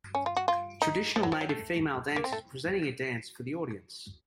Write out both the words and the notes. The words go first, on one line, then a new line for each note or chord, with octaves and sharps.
Traditional native, female dancers presenting a dance for the audience.
C#4
F4
F#4
F4
D#4
F3
F#3
F3
F#3
A3
A#3
C4
A3